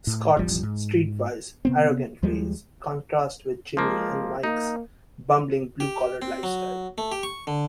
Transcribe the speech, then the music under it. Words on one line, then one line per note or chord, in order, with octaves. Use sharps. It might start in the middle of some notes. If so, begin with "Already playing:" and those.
Scott's streetwise, arrogant ways contrast with Jimmy and Mike's bumbling blue-collar lifestyle.
A2
E1 A1 F3 G3
G#2
C3 B3 C4
D#2 F3 G3 G#3
F3 G#3 A#3
A#3 D#4
G4
C4
F#3
A3
G4
C#6
D3